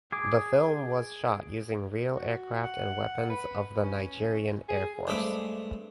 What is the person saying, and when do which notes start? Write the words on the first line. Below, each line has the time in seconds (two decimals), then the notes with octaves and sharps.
The film was shot using real aircraft and weapons of the Nigerian Airforce.
0.12 G#4 D6
2.16 F#4
2.64 F#5
3.29 B4
3.83 C#4
4.69 G#4
5.07 G2 G#3 A3 C4 B5 D6